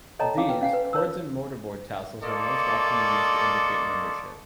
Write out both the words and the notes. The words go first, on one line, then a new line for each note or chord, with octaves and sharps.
Of these, cords and mortarboard tassels are most often used to indicate membership.
A4 C#5 D#5 G5 A5 A#5
C#4 F5 G#5 D6
B4 F5 G5
C#4 F5 F#5 G#5
B4
B4 C#5 A5 E6
A#3 A4 D5 D#5 C6 C#6